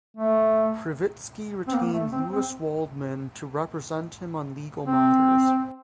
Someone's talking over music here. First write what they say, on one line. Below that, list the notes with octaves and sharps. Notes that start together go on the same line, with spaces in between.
Krivitsky retained Louis Waldman to represent him on legal matters.
A3
C4
A#3
A3
C4
C4
C4